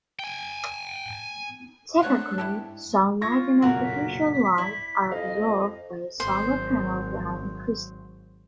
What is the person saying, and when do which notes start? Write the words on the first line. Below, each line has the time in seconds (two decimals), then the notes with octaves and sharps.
Typically, sunlight and artificial light are absorbed by a solar panel behind the crystal.
0.20 G5 G#5
2.02 A3 D4 A4 C5 C#5 F#5 F#6
2.38 G#2 E4 G4 A4
3.21 F4 C#6 G#6 A#6
3.62 F#1 B1 A#2 F#4 A#4
3.82 B6
4.58 E4 D5
5.11 F2 D#5 F5
6.20 G#1 F#3 C5